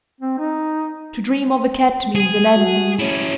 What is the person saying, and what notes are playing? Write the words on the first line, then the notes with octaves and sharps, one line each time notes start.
To dream of a cat means an enemy.
C4
D#4
G#4
F#4
C#4 E4 C#5